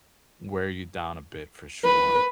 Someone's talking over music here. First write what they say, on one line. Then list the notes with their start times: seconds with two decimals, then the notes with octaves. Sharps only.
wear you down a bit for sure.
1.85 B4